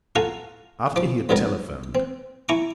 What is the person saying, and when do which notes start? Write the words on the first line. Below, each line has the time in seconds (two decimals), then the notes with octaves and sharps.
After he had telephoned.
0.15 F4 F#4 A4 F5 G#5 A#5
0.96 F3 D6
1.29 C#2 G2 C3 F#3 G3 A#4
1.95 C4
2.49 E4 G#5 A#5 C#6 D6